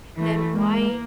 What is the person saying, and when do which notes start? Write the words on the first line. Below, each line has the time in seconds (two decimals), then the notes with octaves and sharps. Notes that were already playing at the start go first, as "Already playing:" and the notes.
then why
0.16 E3 A3
0.54 G#3 A#3